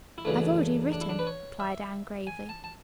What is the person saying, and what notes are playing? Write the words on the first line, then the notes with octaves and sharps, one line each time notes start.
"I have already written," replied Anne gravely.
E4
F#2 C#3 E3 A3 D4
D4
E4
D4
B4
C#5
E5
G#5
A5
A5